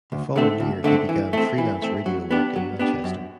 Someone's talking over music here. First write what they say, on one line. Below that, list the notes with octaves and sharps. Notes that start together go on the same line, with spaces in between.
The following year he began freelance radio work in Manchester.
D2
D3 A3 C4
D2
D3 A3 C4
E3
A3 C4
E3
A3 C4
F#3
B3 D4 G4
F#3
B3 D4 G4
F#2